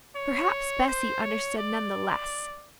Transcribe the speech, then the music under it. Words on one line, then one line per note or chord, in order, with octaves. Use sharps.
Perhaps Bessy understood none the less.
C#5
C5
C#5
D5